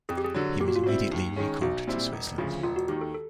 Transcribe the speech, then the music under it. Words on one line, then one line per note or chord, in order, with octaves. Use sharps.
He was immediately recalled to Switzerland.
F2 G#4
G4
G#4
D3 F#3
A#2 G4
F#4
F4
G3 C4 E4 F#4
D#2
D#3 G#3 C#4
B1 F#4
A#2 G3 C4 E4
E1
D2 C#3 F3
E1 F4
F#4
D#2 D#3 G4
A4
A4